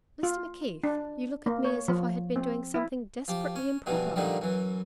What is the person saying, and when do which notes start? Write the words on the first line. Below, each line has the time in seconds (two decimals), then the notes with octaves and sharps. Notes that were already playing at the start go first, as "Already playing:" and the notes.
Mr McKeith you look at me as if I had been doing something desperately improper.
0.23 F4
0.84 D4
1.46 A#3
1.64 C#5
1.88 F3
2.36 C4
2.74 E4
3.28 F3 G4
3.56 C#4
3.86 G2 B2 E3 F3
4.16 G2 A#2 D3 D#3 F3 G3
4.41 F#2 E3